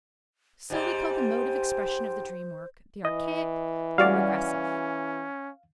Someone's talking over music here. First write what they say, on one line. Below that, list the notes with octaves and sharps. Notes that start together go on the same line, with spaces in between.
So we called the mode of expression of the dream-work the archaic or regressive.
G#2 G3 C5
E3 D#5
G3 C#4 F#4 D5 F5